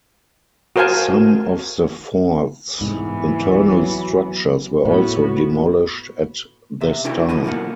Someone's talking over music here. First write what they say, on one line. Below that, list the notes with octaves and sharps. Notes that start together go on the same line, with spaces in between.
Some of the fort's internal structures were also demolished at this time.
F#4 A#4 C5 F5 G#5 A5
C2 G#2 E3 B3
F#3
A2 B3 F#4
C3 E5
B3 D4 E4 F#4 A4 G5
D#2 B2 F3 E4 F#5 G#5
B1 B2 A#3 F#5